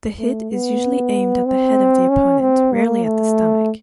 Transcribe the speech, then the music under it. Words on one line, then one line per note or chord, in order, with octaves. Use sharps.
The hit is usually aimed at the head of the opponent, rarely at the stomach.
A3
B3
C4
C#4
C4
A#3
A3